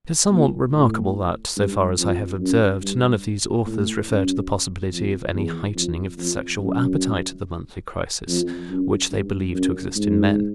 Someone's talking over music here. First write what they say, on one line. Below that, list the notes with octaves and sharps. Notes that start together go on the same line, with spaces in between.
It is somewhat remarkable that, so far as I have observed, none of these authors refer to the possibility of any heightening of the sexual appetite at the monthly crisis which they believe to exist in men.
A#2
A2
G2
F2
F#2
G2
A2
F#2
F2
E2
F2
F2
F#2
F2
F#2
G2
F#2
G#2